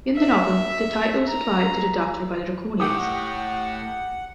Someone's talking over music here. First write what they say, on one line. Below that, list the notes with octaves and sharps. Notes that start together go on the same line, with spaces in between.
In the novel, the title was applied to the Doctor by the Draconians.
E5
A#5
A2 G4 F#5 G5 D6 D#6